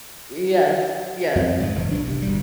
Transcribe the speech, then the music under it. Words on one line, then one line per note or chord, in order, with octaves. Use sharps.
Yes. Yes.
F2 C4
G#2 C#3 F3
F#1 A#2 E3
B1 D4
C3
G1 B2 G3